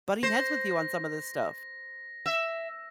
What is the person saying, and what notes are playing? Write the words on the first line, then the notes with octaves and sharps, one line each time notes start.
butting heads with you on some of this stuff,
C5 A#6
E5